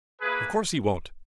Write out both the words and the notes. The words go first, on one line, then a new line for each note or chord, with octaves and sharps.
Of course he won't.
A#3 E4 G#4 B4